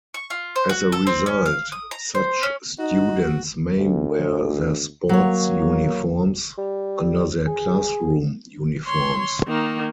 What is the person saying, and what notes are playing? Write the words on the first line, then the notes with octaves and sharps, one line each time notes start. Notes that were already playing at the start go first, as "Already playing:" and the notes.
As a result, such students may wear their sports uniforms under their classroom uniforms.
C#6
F4
C5
F#4
A4
C4
C#4
F5
D#6
A#5
C5
C#4
D#4 F#4
D2
F#3 A#3 C#5
G3
G#4
C#5 C6
D#3 A#3